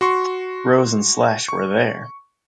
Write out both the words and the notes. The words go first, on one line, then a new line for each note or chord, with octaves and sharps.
Rose and Slash were there.
F#4 C6 C#6
C#6